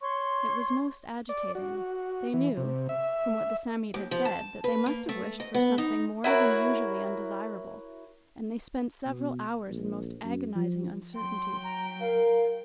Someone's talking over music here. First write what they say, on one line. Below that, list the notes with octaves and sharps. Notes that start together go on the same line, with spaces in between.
It was most agitating; they knew, from what the Psammead had said, that they must have wished for something more than usually undesirable, and they spent several hours in most agonizing uncertainty.
C#5 C6 C#6
D5
F#4
E3
C3
E5
D#2
F3
A5
B4
A#3
A3
D#5
B3
D#4
E4 F#4 A#4 C#5
B2
A#1
F#2
F3
F#3 G5 C6
A#5
A#4 F5